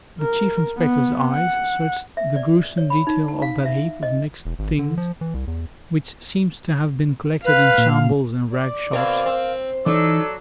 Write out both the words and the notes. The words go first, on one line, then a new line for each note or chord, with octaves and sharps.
The Chief Inspector's eyes searched the gruesome detail of that heap of mixed things, which seemed to have been collected in shambles and rag shops.
A#4
B3
F#5
E5
D5
C#5
B5
D#4
A5
F5
E5
D#5
E1
G#1
D3
F3
E3
C2
E2
B4 F5
A#2
D5
B2 C4 A#4 F5
C4
E3 F#3 D#4 A4 D5